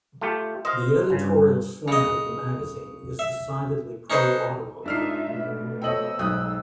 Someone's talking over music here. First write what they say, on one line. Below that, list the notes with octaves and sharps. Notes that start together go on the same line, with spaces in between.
The editorial slant of the magazine is decidedly pro-automobile.
A3 F4 G4
C5 D#5 F5
G2 C#3
C#3 D#5
E5
C#4 D#4 B4 C5
G#2 D4 D#4 F4 E5 F6 C7
B2 A3
F2 A#3 A4 C#5 D#5 G5 E6 F#7
B1 G#2 G5 D#6 F#6